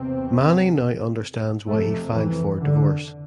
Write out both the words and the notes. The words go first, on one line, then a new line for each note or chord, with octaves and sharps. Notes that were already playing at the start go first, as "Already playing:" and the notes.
Mani now understands why he filed for divorce.
Already playing: E2 C3 C4
F2 C3 A3
E3
D3